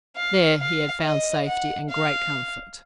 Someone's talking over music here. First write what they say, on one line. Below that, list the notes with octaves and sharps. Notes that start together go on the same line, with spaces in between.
There he had found safety and great comfort.
F5
F5
D#5
F#5
F5